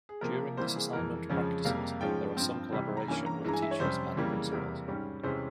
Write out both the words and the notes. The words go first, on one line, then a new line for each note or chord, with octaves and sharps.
During this assignment practices, there are some collaboration with teachers and principals.
G#4
C3 F3 A#3 A#4
C3 E3 G3 A#3 C5
G#4
F2 E3 G#3 A#4
F2 C#3 F3 G#3 C#4
F2 C3 G3 A#3 F5
G#2 F3 G#3 C#4 G5
G2 F3 C4
C3 E3 G3
A#5
G2 E3 A#3 C#4 G#5
A#5
G2 E3 G#3 A#5
G#5
E5
C#5
F2 C3 G3 C#4 C5
F2 C#3 E3 G3 A#3
E2 C3 G3 A#3 A#4
G#2 G3 C#4
E2 C3 E3 G#3 C#4 C5